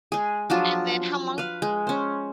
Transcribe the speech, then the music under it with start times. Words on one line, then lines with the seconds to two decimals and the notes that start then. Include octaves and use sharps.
And then how long
0.12 G#3 G#4
0.50 F3 F#3 D4 F4
1.38 B4 F5
1.62 G#3
1.87 C#4 C5